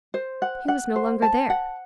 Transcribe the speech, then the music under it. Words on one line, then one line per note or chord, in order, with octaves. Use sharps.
He was no longer there.
C5
F#5
F#5
C5
A5
F#5